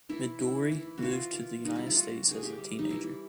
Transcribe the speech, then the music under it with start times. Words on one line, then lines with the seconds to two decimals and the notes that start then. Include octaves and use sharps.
Midori moved to the United States as a teenager.
0.09 E3 E4
0.40 E3 E4
0.72 E3 E4
0.98 E3 F4 F#4
1.33 E3
1.65 G3 D#4
1.76 E4
1.86 F4
1.96 G3 F#4
2.28 E3 G#4
2.43 G4
2.58 G3
2.79 D#4
2.90 E3 E4